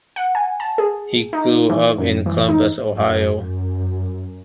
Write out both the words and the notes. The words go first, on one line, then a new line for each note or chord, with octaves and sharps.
He grew up in Columbus, Ohio.
F#5
G#5
A5
G#4
D#4
E3
F#2
E3
D#4
F#2
F#2